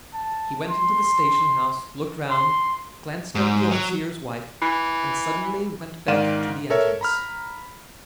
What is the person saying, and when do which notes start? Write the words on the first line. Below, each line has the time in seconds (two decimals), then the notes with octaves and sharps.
He went into the station house, looked round, glanced at the overseer's wife, and suddenly went back to the entrance.
0.14 A5
0.70 C6
2.30 C6
3.35 G#2
3.71 F#3
4.62 E3
6.08 G#2 D#3 D5 F5 D#7 E7
6.70 A4 A#4 C#5 E5
7.01 A#5 B5 F6